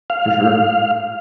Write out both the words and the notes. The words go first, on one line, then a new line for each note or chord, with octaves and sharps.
For sure.
F5